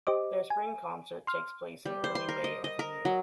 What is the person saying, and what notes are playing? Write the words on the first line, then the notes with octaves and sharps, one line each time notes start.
Their spring concert takes place in early May every year.
G4 C5 D#5 D6
G#5
C6 F6
G3
C5
C6
A#4
D#5
D#5
A#4
F#3